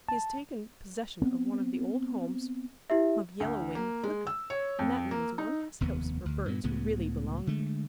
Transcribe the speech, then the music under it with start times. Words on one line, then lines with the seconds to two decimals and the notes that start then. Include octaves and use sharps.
He has taken possession of one of the old homes of Yellow Wing the Flicker, and that means one less house for birds who really belong here.
0.09 A5
1.22 B3 C4
2.90 E4 G4 E5
3.40 D2
3.75 A#3
4.04 G#3
4.27 E6
4.50 C#5
4.79 F2
5.11 A#3
5.38 D#4
5.81 F1 D#2 B3
6.26 D2
6.46 G2 A#2 B3
6.64 C#2 A2 C#3 B3
7.47 D3 G#3 A3